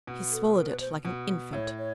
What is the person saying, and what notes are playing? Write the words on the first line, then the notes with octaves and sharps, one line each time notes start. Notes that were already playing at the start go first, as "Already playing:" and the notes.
He swallowed it like an infant.
B2
A4
A#4
B4
C5
B2
A2 C#5
C#5